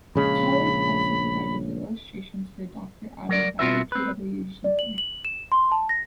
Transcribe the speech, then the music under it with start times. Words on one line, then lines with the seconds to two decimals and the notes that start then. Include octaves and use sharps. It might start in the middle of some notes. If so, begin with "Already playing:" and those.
Howarth also provided the illustrations for "Doctor Adder" by K. W. Jeter.
0.16 A#1 C#3 G#3 B5
3.29 F#3 A#4 D5
3.59 B2 C4 F4 F#4 B4 E5
3.92 C4 B4
4.64 D5
4.79 F#7
4.98 F#7
5.25 E7
5.52 C6
5.72 A5
5.89 A#6